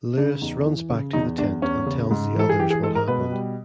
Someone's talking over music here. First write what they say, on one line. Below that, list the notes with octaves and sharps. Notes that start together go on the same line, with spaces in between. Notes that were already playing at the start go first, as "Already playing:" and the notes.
Lewis runs back to the tent and tells the others what happened.
C#3 D4
E2 D#4
E3
C#3
E2 D#4
E2 D4
E2 C#4
C#3
G#2
E3 A4
G#4
E3 G4
G#4
G#3 A4
A#4
B2 B4
G3